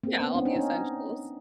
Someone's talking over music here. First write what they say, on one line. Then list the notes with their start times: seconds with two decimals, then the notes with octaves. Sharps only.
Yeah, all the essentials.
0.04 A#3 C4
0.20 B3 C#4
0.35 C4 D4
0.45 C#4 D#4
0.56 C#4 D#4